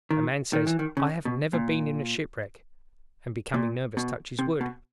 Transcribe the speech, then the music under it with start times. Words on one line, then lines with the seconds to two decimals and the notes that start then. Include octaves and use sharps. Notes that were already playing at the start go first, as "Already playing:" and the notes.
A man says, "I have never been in a shipwreck," and becoming nervous touches wood.
0.11 D#3
0.53 D#3
0.67 E3
0.79 D#3
0.97 C#3
1.25 B2
1.53 A#2
3.54 A#2
3.97 B2
4.39 C3
4.61 B2